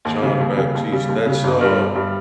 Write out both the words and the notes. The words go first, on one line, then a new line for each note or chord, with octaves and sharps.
Jon Batiste, that's, um
D#2
C#3 G3
D#2
C#3 G3
D#2
C#3 G3
D#2
C#3 G3
G1
G2 G3
G1
G2 G3